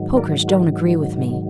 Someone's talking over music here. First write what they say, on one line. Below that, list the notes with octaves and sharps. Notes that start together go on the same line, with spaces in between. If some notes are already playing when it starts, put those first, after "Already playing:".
Pokers don't agree with me.
Already playing: G#2 D#3 F#3
A#4 D5
F#4 A#4